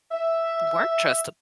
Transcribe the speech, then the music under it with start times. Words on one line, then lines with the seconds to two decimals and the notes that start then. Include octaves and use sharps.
weren't trusta
0.11 E5